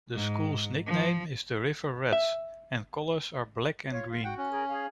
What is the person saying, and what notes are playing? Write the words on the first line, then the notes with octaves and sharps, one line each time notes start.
The school's nickname is the River Rats and colors are black and green.
G#2
F3
E5
F4 C#5
F4
F#4 F#5 G5
C#4
G#4 A#4
G#4 F5